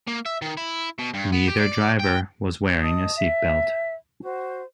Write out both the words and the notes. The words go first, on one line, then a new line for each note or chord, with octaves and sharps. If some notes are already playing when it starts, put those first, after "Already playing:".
Neither driver was wearing a seatbelt.
A#3
E5
D#3
E4
B2
G2
B3
G4
D5
G5
D#5 A5 D#6
E5
F#4 C5